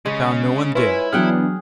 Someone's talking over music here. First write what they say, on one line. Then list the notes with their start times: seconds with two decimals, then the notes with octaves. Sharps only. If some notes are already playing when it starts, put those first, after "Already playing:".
I found no one there.
0.06 C#3 G#3 C#4
0.75 E4 F4 B4 C#5 G#5
1.13 E3 F#3 B3 D4 G#4 F#5 G5 F6